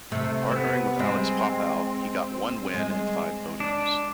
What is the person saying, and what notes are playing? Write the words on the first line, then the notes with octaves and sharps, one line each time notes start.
Partnering with Alex Popow, he got one win and five podiums.
C3 A3
C4
B3
G#3 C4
G#3
D4